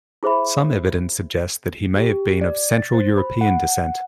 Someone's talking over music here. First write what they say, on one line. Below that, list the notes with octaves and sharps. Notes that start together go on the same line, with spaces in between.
Some evidence suggests that he may have been of central European descent.
E4 G#4 C5 E5 B5
G4
D5
A6
C5
B5
F#5